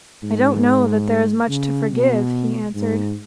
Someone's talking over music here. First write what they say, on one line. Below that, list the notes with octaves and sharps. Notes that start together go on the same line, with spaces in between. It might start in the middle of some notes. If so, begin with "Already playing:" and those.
"I don't know that there is much to forgive," he answered.
G#2
C#3
B2
G#2